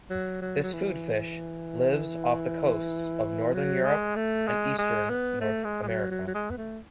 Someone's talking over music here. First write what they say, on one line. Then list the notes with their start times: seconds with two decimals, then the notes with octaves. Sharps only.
This food fish lives off the coasts of northern Europe and eastern North America.
0.10 F#3
0.42 F#3
0.63 F#3
0.73 E3
3.54 F#3
3.85 G#3
4.16 A3
4.47 G#3
4.78 G#3
5.10 B3
5.41 A3
5.64 G#3
5.83 G#3
5.88 F#3
6.11 F#3
6.28 F#3
6.35 G#3
6.51 B3
6.58 A3